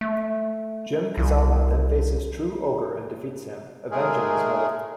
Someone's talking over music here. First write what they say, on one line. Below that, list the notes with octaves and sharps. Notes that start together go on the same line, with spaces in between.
Jin Kazama then faces True Ogre and defeats him, avenging his mother.
A3
C2
D#3 G#3 A3 G#4 A#4